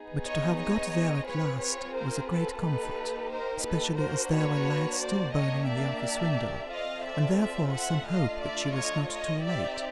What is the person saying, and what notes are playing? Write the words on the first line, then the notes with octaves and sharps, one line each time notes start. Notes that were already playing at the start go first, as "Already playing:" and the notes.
But to have got there at last was a great comfort, especially as there were lights still burning in the office window, and therefore some hope that she was not too late.
Already playing: B3 D#4 G#4
C#5 D#5
C#5 D#5
C4 F4 G#4 B4 C#5
B4 C#5
A#4 C5
A4 B4
A#3 D#4 G4 A4 B4
A#4 C5
A4 B4
A#3 D4 F#4 A#4 C5
B4 C#5
C5 D5
A#3 D4 G4 C#5 D#5
D5 E5
C4 F4 A4 D#5 F5
D5 E5
D5 E5
E5 F#5
A3 D4 F4 D#5 F5
D5 E5
C#5 D#5
C#5 D#5
C4 D#4 G4 D5 E5